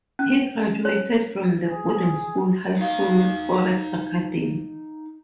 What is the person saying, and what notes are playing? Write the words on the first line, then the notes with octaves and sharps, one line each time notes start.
He graduated from the boarding school high school Lake Forest Academy.
C#4
C#5
G#4
D#4 F5